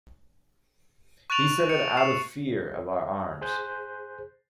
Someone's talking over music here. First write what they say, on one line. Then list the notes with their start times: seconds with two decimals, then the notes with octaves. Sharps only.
He said it out of fear of our arms.
1.30 C#6 F#6 A6 D7 F7 F#7
1.69 C#7
1.97 C7 E7
3.41 G#4 C5 F#6 G6